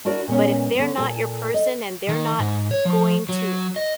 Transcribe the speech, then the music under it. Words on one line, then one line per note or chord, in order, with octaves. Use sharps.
but if they're not your person, and they're not going to
D4 E4 F#4 A#4 D5
A#2 G#3 B3 C#4
D3 B3
A#2 A4 G#5
D#5
D#3
G#2
C#5
F3
F#3
D#5